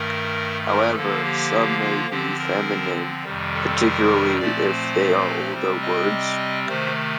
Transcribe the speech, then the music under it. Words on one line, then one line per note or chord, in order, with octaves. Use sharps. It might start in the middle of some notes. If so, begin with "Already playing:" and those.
However, some may be feminine, particularly if they are older words.
Already playing: G2 D#3 A3 A#4
A#4
D3 F3 A#3 A4
G4
F4
D3 F3 C4 G4
A#4
F2 C3 D#3 G3
A4
A#4
A#2 F3 A3 C4 D5
C5
C3 G3 C4
D#5
C3 D#3 A3 C5